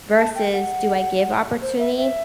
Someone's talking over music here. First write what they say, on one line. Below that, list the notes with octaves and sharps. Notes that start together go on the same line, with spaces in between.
versus do I give opportunity,
A5
G5
F#5
C5
E5
E5